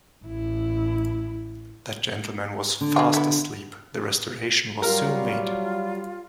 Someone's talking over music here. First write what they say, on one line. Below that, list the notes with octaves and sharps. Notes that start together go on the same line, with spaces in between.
That gentleman was fast asleep; the restoration was soon made.
A1 E4
D3
G#3 F4
B3 E4
F#3 G3 F4 A#4